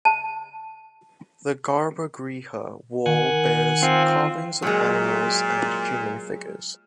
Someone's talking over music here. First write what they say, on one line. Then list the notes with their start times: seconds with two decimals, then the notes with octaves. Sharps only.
The garbhagriha wall bears carvings of animals and human figures.
0.05 A5
3.06 D#3 F#5 G#5
3.83 C4 F4
4.62 A#2 F#3 G#3